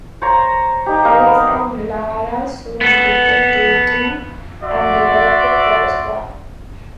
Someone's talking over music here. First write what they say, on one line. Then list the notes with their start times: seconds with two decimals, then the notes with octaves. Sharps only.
Alex and Lara soon begin dating and develop a close bond.
0.22 C5 C#5 A#5
0.86 D#4 G4
1.05 A#4 C#5 D#5 F5
1.26 B3
2.81 B3 A4
4.63 F#4 D5 E5 C6